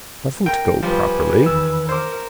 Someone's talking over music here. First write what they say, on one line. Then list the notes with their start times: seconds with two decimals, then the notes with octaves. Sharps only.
Doesn't go properly.
0.46 A#4 G5
0.83 F3 G3 G#4 B4
1.46 E2 D#3 E6
1.89 A#4 C5 D6